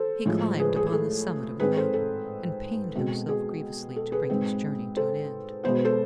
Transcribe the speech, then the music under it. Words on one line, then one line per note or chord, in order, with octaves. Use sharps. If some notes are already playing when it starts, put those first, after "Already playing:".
He climbed upon the summit of the mountain, and pained himself grievously to bring his journey to an end.
Already playing: A4 C5
A2 F3 G#3
G#4 B4
G#4
G#4
A4
G#2 G#3 C4 G#4 B4
A4 C5
A4
B2 G#3 C4
G#4
A4
G#4 B4
G#2 G#3 C4
A4 C5
B2 G#3 B3 C5
B4
A4 C5